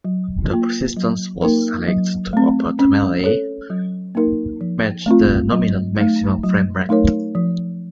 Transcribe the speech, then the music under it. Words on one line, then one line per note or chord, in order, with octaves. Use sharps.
The persistence was selected to optimally match the nominal maximum frame rate.
F#3
A#3 F4
F#3
A#3 D#4 A#4
F#3
A3 C4
C#4
A4 C#5
F#3
A#3 D#4 A#4
F3
A3 C4 F4
F#3
A3 D#4
F#3
A3 D#4 A#4 C#5
F3